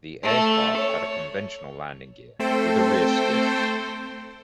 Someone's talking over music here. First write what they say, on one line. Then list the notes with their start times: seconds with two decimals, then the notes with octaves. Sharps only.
The aircraft had a conventional landing gear, with a rear skid.
0.23 A3
0.76 C#5
2.39 A3 C4 A4 C5 G5